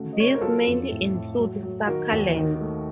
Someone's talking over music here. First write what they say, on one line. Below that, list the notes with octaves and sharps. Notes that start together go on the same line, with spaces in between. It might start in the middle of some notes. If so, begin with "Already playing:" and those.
These mainly include succulents.
Already playing: C#3 A3 F#4
D#5
A3 C#5
C5
A#4
F#3 F4 A4
F2
A2
A2
F#3
F#3
D#3 F#4 A#4
D#2
D#3
A3